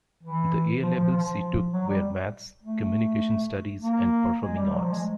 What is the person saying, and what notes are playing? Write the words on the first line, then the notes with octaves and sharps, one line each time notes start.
The A levels she took were Maths, communication studies and Performing arts.
E3
F3
F3
F3
F#3
G3
A3
A#3
G#3
G3
F#3
F3
G#3